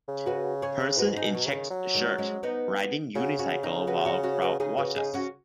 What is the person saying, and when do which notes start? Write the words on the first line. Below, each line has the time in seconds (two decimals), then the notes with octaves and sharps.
Person in checked shirt riding unicycle while crowd watches.
0.08 C#3
0.26 F#4 B4
0.62 G#4 C#5
0.98 G#2 F#4 B4
1.17 D#4 G#4
1.23 B2
1.35 F#3
1.46 C#3
1.53 D#3
1.70 F#3
1.94 D#3 G#3
2.18 G#3 C#4
2.43 B3 D#4
3.15 C#3 C#4 F#4
3.39 C#4 F#4
3.63 D#4 G#4
3.87 F#4 B4
4.05 C#4 F#4
4.23 C#4 F#4
4.42 F#4 B4
4.60 C#3 D#4 G#4
4.77 F#4 B4
4.96 D#4 G#4
5.14 C#4 F#4